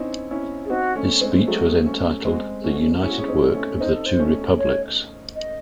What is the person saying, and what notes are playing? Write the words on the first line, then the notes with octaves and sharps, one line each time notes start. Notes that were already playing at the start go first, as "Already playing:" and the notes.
His speech was entitled The United Work of the Two Republics.
Already playing: C4 C#4 D#4 E4
C#4 E4
G#4
C4 D#4 F#4
A3 C#4
G#3 C4
F#3 A3 G#4
F#4
G#4
A3 C#4
G#3 C4 F#4
G#4
A3 C#4 F#4
C#4 E4 G#4
F#4
C#4 G#4
C4 D#4
A3 C#4
C4 D#4 C5
A4
C5
A3 C#4
C#5
D#5